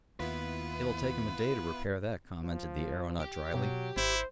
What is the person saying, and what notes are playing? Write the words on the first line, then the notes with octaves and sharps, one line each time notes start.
"It'll take him a day to repair that," commented the aeronaut dryly.
D#2 B3 E4 F4 B4
F3
G4
B2 F#3
G#1 E4 C5